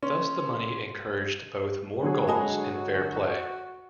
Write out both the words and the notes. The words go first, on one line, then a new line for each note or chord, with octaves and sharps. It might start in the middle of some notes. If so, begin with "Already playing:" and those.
Thus the money encouraged both more goals and fair play.
C#4 C6
D3 F#3 F#4 G#4
G#3 D#5 G#5 A5 B5 D#6